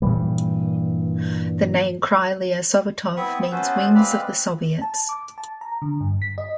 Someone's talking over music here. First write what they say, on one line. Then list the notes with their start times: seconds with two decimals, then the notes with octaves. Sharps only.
The name "Krylia Sovetov" means "Wings of the Soviets".
0.02 G2 A#2 E3 G3
3.17 B3 C4 E4 B5 C#6 D#6
3.51 B3 C#4 F#4 A4 B4 C5
3.95 G#3 C4 B4 D5 F5 B5
4.82 A5
5.09 D6
5.38 A5
5.61 A#5
5.82 D3
6.01 G2
6.22 B6
6.38 D#5